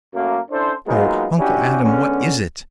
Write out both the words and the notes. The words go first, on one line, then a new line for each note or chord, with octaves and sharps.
"Oh, Uncle Adam, what is it?"
F#2 A3 A#3
C#4 D4 E4 A4 C5
F#3 G#3 A#3 B3 D#4 F4
C#4 D4 E4 F#4 G4
D3 G#3 B3 C#4